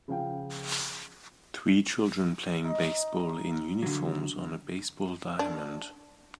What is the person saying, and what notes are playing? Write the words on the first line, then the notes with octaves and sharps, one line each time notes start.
Three children playing baseball in uniforms on a baseball diamond.
C#3 F3 F5 G5
D#4
D3 F#3
D4